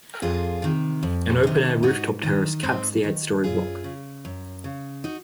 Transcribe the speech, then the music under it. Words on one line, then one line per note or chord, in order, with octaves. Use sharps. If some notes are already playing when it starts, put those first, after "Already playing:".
An open-air rooftop terrace caps the eight-story block.
F2 F4 G#4
C3 D#3
F2
C3 D#3
G#2 D#4 F#4
D#3
G#2 C4 D#4
D#3
F#2 F4 G#4
C#3
F#2
C#3
D#4 F#4